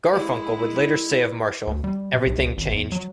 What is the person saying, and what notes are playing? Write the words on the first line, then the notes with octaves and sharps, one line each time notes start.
Garfunkel would later say of Marshall, Everything changed.
G#3 E4
D2
G3
B2
B1
C#2
G#1
E2
F#3